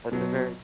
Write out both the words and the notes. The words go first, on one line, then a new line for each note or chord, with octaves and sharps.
That's a very
B2 F#3